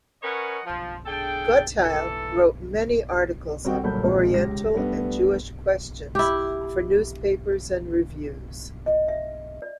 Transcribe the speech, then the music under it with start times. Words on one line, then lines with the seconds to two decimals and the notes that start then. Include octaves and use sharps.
Gottheil wrote many articles on Oriental and Jewish questions for newspapers and reviews.
0.22 C#4 A#4 B4 C#5 D#5 F#5
0.65 F3
1.06 D4 G#4 A4 G5
1.83 E3 A4
3.65 G3 C4 F#4 F#5 G5
3.83 G1 A#2 F#3 A4 B5 G6
4.03 G#1 A#2 F3 G#3 C4
4.34 C#2 G4 A#6
4.74 G3 A3 B3 D4
6.15 E4 G4
8.86 D#5
9.08 E5
9.62 D5